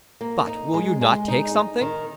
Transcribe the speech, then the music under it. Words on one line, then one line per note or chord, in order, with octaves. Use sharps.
But will you not take something?
A#3
D#4
G#3
G#3
D#4
D#4
D#3